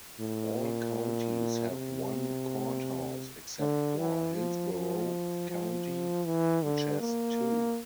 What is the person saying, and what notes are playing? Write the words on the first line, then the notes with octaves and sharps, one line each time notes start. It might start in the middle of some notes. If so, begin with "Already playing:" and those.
All counties have one courthouse except for Hillsborough County which has two.
A2
A#2
C3
D3
E3
F3
F3
F3
E3
D3
A#3